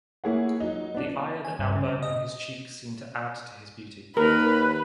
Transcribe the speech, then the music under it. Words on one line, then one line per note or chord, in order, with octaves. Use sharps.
The ire that now burned in his cheeks seemed to add to his beauty.
A#3 E4 G#4 C#5 F#5
F#3 D#4
B3 D4
G#5
G2
C#3
D#5
D#2 A#4 B4